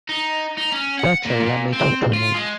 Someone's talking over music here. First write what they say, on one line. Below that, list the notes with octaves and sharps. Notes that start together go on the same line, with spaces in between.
Better let me talk to him.
D#4
D#4
C#4
F#5
A#2
A#2
C4
F4
G#3